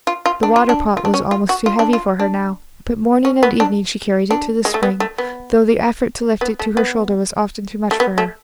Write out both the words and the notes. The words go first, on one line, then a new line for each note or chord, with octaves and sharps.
The water-pot was almost too heavy for her now, but morning and evening she carried it to the spring, though the effort to lift it to her shoulder was often too much for her.
F4
F4
D4
F4
D4
F4
D4
C#4
F4
F#4
F4
D4
F4
D4
C#4
B3
D4
D4
G#3
A3
B3
A3
B3
B3
A3
B3
A3
B3
A3